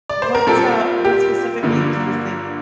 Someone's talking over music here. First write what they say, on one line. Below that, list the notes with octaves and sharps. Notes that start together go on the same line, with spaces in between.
What, uh, what specifically do you think,
D5
C5
A#4
A#2 G3 C4 A4
G4
G2 D3 F3 A#3